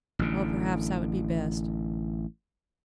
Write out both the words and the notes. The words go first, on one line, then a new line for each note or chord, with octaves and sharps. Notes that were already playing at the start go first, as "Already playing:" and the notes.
Well, perhaps that would be best.
A1 D3